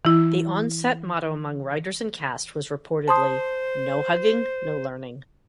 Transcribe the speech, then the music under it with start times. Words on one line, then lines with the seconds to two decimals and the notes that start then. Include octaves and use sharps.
The on-set motto among writers and cast was reportedly No hugging, no learning.
0.05 E3 E4
3.08 C5 A5 C6 D#6